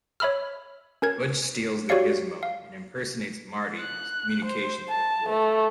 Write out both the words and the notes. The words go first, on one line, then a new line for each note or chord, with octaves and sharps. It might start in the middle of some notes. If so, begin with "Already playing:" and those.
Butch steals the Gizmo and impersonates Marty in his communications with Wolfe.
C#5 E5 B5 E6 F6
C#4 A#4 G#6
F#4 G4 C#5 D5 F5 C#7
F5
F#6
C5
A5
A3